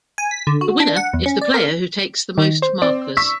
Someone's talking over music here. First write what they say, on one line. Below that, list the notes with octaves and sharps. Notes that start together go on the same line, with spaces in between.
The winner is the player who takes the most markers.
G#5
B6
D3
F#4
D4
F#5
E2
C#4
D5
A#4
D#3
C5
C4 D5
C#6 E6 B6